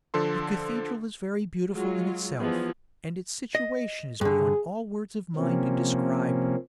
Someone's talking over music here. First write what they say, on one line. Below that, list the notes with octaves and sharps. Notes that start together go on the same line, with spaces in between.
The cathedral is very beautiful in itself, and its situation is beyond all words of mine to describe.
D3 F3 A4 C6
F#3 G#3 F4
E3 F3 G3 B3 G#4
D#5
G2 D3 G#4
C3 F3 A#3 C4 C#4